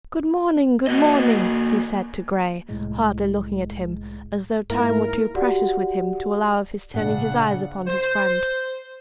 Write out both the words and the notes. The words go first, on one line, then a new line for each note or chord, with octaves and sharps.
"Good morning! good morning!" he said to Grey, hardly looking at him, as though time were too precious with him to allow of his turning his eyes upon his friend.
A#3 F#4 D#5
C2 A2 G#3
G#2 A#3 E4 A#4
F#4 G4 D5 F#5
A#1 C#3 D4 F#5
C5